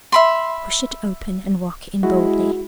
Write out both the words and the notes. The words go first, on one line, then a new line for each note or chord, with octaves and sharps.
Push it open and walk in boldly.
E5 B5 C6
G#3 E4 F#4